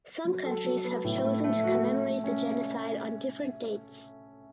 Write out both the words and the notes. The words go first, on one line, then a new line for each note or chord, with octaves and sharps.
Some countries have chosen to commemorate the genocide on different dates.
F#3
A4
F#3
B3
A2
A3
A3
F#4
A3
A3
C#4